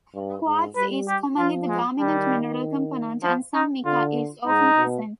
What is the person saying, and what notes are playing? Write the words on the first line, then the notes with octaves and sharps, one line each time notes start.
Quartz is commonly the dominant mineral component, and some mica is often present.
G2
G#2
G3 B4
G4
F3 F4
G#3
D#3 G3
F3
D#4
D3 F4
G#2 D#4
B2